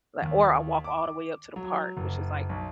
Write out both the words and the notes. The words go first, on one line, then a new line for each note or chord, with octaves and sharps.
li or I walk all the way up to the park, which is, like,
D#2
D6
F#3
F#1
B1